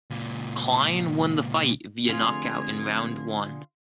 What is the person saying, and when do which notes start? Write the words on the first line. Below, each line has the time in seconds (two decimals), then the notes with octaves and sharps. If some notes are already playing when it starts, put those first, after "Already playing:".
Klein won the fight via knockout in round one.
0.10 C#2 A#2
2.09 F1 D3 F4 G#4 G#6